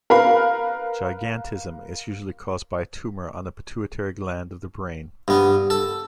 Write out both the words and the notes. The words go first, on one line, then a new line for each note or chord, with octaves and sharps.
Gigantism is usually caused by a tumor on the pituitary gland of the brain.
A#4 B4 F5 B5
G2 B3
A4